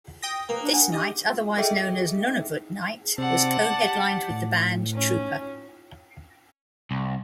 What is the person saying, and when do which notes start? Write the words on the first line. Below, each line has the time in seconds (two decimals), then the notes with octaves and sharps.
This night, otherwise known as "Nunavut night", was co-headlined with the band Trooper.
0.22 G5 D#6 A#6
0.49 A#3 B4
0.62 D4
0.74 D4 F#5
0.92 G4 D#5
1.57 G#4 A4 D#5 E5 G5
3.18 C3 C4 D5 F#5 A5
3.83 G4
4.30 A2
4.93 C#4
6.91 C2